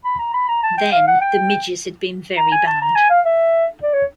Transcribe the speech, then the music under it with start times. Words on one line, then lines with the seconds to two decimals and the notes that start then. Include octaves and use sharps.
Then the midges had been very bad.
0.05 B5
0.19 A#5
0.34 B5
0.48 A#5
0.63 A5
0.78 G5
0.92 F5
1.07 F#5
1.21 G5
2.37 A#5
2.52 G#5
2.67 A5
2.82 A#5
2.95 G#5
3.10 F5
3.25 E5
3.83 D5
3.94 C#5